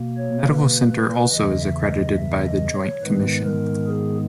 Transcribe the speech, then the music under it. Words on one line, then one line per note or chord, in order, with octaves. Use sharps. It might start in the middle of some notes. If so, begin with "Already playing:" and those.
The Medical Center also is accredited by The Joint Commission.
Already playing: B2 A#3
C#5
B4
B4
E2 C#3 E3 D#5
E5
D#5
E5
D#5
C#5
G#2 D#3 G#3 B3 B4
A#4
G#4